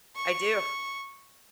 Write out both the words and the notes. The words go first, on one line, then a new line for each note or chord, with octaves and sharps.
I do.
C#6